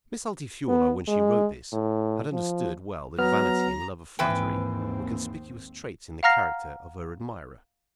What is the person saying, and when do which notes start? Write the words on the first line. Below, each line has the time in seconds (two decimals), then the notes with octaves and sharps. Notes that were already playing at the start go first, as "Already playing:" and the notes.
Miss Altifiorla when she wrote this had understood well that vanity and love of flattery were conspicuous traits in the character of her admirer.
0.68 B3
1.08 G#3
1.73 A2
2.32 F3
3.18 F#3 B3 A#5 F6
4.19 D#2 G#2 E3 C4 B4 G5
6.23 F5 F#5 A#5 F6 A#6 C7